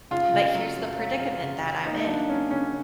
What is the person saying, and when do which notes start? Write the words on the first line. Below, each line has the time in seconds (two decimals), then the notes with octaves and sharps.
But here's the predicament that I'm in.
0.11 C#3 F4
0.34 C#3
0.55 F#3
0.76 F#2
0.98 F#3
1.20 C#3
1.42 C#3
1.64 C#3
1.85 A#3 D#4
2.06 F#3 D4
2.28 F#3 C#4
2.50 C#3 C#4